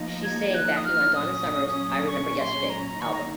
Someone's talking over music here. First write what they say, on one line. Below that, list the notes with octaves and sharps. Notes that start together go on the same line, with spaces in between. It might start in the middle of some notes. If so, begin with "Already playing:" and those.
She sang backing on Donna Summer's "I Remember Yesterday" album.
Already playing: F3 A#3 D#4
G#6
F#6
D#6
F6
A#2 F#3 C#4 D#6
C#6
C6
A#5
D#3 A#3 D#4 C#6
A#5